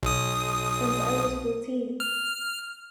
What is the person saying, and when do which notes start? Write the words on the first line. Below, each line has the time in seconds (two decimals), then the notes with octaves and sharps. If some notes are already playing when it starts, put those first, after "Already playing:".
Since I was fourteen.
0.03 B1 D#6
2.00 F6